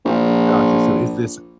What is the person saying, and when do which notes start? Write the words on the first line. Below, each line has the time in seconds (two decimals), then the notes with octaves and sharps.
Gotcha. So is this
0.05 A#1